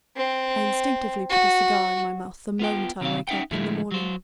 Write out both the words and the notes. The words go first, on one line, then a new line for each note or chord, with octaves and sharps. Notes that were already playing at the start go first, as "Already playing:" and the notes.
I instinctively put a cigar in my mouth the moment I wake up in the morning.
C4
F#4
B3 F4 G5
C3 D#3 C4 F5
C#4 D#4 E5 F#5 G5
A2 D3 F3 G#3 A3 E4
F#3 C5